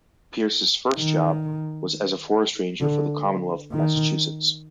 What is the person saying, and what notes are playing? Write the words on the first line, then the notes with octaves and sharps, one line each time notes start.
Pierce's first job was as a forest ranger for the Commonwealth of Massachusetts.
D#3
D3
D#3